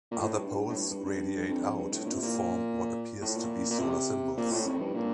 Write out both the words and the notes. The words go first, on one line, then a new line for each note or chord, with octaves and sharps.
Other poles radiate out to form what appears to be solar symbols.
A#2
A2
G2
G2
A2
G2
G2
G2
F2
G2
A2
A#2
C3
A#2
A2
A#2
A#2
C3
A#2
A2
F2
G2
A#2